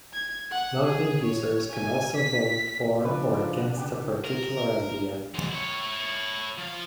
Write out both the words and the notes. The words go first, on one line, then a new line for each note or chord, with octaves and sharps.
Logged in users can also vote "for" or "against" a particular idea.
G#6
F#5
G#4
C#5
G#5
B6
C#3 F3 D4 B4
C#3 B3 G4
A#4
F#3 G#3
E4 C#5
F3 F5